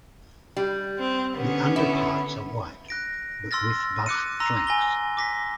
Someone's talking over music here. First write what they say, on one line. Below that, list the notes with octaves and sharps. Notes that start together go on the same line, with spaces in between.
The underparts are white, but with buff flanks.
G3
C4
D3 B3 C#4
E4
F#6 A#6 D7
C6 E6 F6 A6 A#6
D6 F#6 C#7 D#7
A#5 C6 E6 A#6
G#5 A#6 G7
D6 A#6 B6